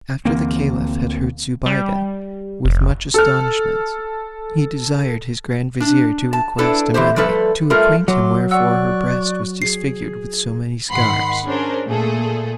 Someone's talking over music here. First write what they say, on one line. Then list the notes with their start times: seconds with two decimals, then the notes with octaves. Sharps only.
After the caliph had heard Zobeide with much astonishment, he desired his grand vizier to request Amene to acquaint him wherefore her breast was disfigured with so many scars.
0.25 D2 E3 A#3 C4
1.66 G3
2.65 F1
3.14 A4 F6
5.80 D4
6.33 A5
6.58 D4 E4 A4 B4
6.94 E3 C4 G4 C5
7.16 F3 G3 A3 A4 B4
7.70 G3 A3 F4 A#4
8.08 F#3 C6 D6
8.51 D5 F#5 C#6 E6 F#6
9.62 G#4 C7
10.90 G#2 D#3 F#5 B5 C6 C7
11.45 C#4 D4 G#4 A#4 C5
11.88 A#2 A3 G#4 A4